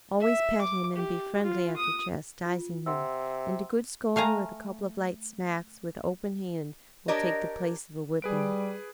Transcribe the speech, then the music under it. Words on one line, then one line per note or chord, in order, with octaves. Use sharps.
Always pet him and be friendly after chastising him, and a good scolding with a couple of light smacks with open hand will take the place of a whipping.
E5
D6
G4
F4
D#6
F4
C3 F#5 C6 E6
A3 F5 G#5 A#5
D4 G4 A#4 C#5 D#5
G3 G#4 B4 D7